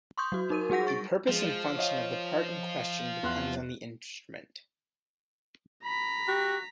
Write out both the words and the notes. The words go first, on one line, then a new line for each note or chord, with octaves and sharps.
The purpose and function of the part in question depends on the instrument.
C6 C#6 D#6 G6
F#3 F#4
D#4 A#4 D#7
G3 F#4 G#4 F#5 A#6
C#6 A6 D7
F3 G#3
C#5 D#5 F5
E2 C6 F#6
A#5 B5 B6
F#4 G4